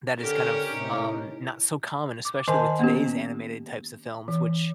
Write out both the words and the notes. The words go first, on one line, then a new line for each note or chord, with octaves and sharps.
that is kind of, um, not so common, especially with today's animated types of films, which
D3 C#4 G4 A#4
A2 C3 D#4
D6
D#3 A#4 D#5 G#5 A5 C6
A#3 B3 C#4 G4
E3